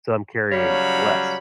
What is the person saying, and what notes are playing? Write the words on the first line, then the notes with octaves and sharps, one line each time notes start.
so I'm carrying less,
C#3 F#3 G3 C#5 F5 B5